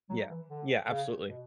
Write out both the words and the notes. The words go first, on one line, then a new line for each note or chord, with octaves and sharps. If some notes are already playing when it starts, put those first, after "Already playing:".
Yeah, yeah, absolutely.
F#3
E3
D3
C#3
B2